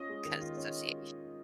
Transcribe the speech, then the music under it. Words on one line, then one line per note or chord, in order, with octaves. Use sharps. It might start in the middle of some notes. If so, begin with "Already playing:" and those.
'cause association.
Already playing: C#4 F4 D#5
G#3
D#3
F4
C#4